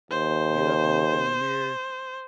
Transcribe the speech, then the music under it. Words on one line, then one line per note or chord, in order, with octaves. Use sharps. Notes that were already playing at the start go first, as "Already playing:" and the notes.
get up and look in the mirror,
D#2 C5